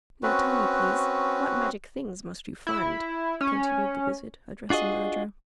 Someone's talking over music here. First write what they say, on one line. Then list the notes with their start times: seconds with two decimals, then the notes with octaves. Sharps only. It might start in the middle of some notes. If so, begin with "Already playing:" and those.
"Now tell me, please, what magic things must you find?" continued the Wizard, addressing Ojo.
0.23 C4 C#4 F#4 B4
2.67 E4
3.41 C#4
4.70 D4 F4 F#4 G#4 D#5